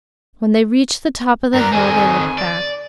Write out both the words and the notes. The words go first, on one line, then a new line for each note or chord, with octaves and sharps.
When they reached the top of the hill they looked back.
G2 B3 A#4 D5 A#5
F2 D#3 C4 G#5
D5